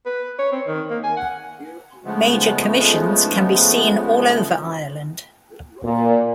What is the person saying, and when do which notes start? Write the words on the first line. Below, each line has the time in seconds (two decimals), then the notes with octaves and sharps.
Major commissions can be seen all over Ireland.
0.06 B4
0.39 C#5
0.52 C4
0.67 D#3
0.90 A#3
1.03 G#5
1.17 F#5
2.05 C#3 F3 G#3 A3 B3
5.84 A#2